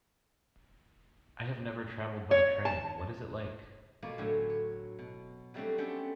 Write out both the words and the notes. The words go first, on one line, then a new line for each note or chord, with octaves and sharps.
I have never traveled by train, what is it like?
C#5
A5
B2 A#3 F4 C#5 D5
A2 D3 F#3 G#5
C#5
B2
F#3 G3 A3 C4 D4 F#4
B3 C#4 D4 A4 C5 G5